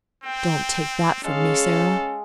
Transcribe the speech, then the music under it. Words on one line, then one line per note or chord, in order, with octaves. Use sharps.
Don't take that from me, Sara.
C4 G5
G#3 C#4 A4 F5